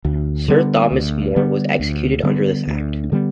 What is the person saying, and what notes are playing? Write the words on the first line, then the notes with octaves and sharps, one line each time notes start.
Sir Thomas More was executed under this Act.
D2
D3 G3 B3
D2
D3 G3 B3
D2
D3 G3 B3
D2
D3 G3 B3